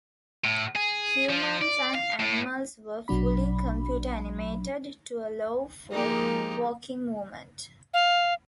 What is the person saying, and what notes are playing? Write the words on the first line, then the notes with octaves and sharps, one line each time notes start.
Humans and animals were fully computer animated to allow for walking movement.
A2
G#4
F3
D5
F5
A2
A#1 B2 F#3 D4 B5
F3 G#3 A#3 D#4 G4
F5